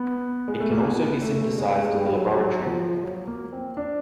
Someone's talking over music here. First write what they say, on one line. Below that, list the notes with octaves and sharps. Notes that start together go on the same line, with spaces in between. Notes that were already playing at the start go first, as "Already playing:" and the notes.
It can also be synthesized in the laboratory.
Already playing: B3
G#3
A3
A#3
B3
A3
G#3
G#3
G3
F#3
G3
F#3
F3
F#3
A#3
C4
D4